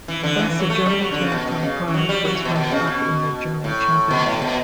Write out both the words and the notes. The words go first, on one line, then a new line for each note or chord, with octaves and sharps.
Thus, a German team from Prague was runner-up in the German championship.
E3
D3
E3
E3
F#3
A3
G3
F#3
D3
C#3
B2
B2
C#3
E3
F#3
G3
F#3
E3
B2
B2
C#3
B2
A2
B2
A2
B2